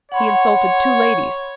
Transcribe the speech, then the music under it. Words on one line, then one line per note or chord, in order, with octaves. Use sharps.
He insulted two ladies.
C#5 F#5 B5 C6